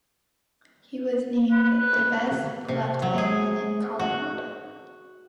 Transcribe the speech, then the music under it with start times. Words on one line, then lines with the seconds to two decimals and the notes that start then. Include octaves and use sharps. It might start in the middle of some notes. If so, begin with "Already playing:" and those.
He was named the Best Left End in Colorado.
1.51 B4
2.68 C3
3.02 F#3
3.18 G#4
3.99 F#4